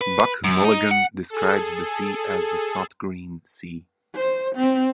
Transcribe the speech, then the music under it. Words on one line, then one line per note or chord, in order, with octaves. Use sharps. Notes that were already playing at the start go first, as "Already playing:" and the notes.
Buck Mulligan described the sea as The snotgreen sea.
B4
F#2
D#4
F#5
G#4 A4
C5
C4